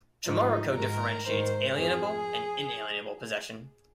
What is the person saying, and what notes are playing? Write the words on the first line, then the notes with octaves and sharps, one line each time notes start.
Chimariko differentiates alienable and inalienable possession.
G#2 F3 D#4
G#2 D#3 A#4
G#2 D#3 C5
F2 F3 G#4